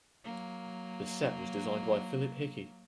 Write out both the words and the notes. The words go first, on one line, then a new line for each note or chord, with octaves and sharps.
The set was designed by Philip Hickie.
F#3 A#3